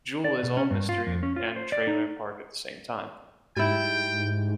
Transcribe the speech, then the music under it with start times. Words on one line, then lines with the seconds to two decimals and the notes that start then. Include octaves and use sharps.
Jewel is all mystery and trailer park at the same time.
0.24 D5
0.43 B2
0.57 C#4
0.71 G2
0.89 F4
1.07 F2
1.23 C#4
1.36 F4
1.56 C5
1.72 D5
1.87 D#4
3.57 G#2 G3 E4 G5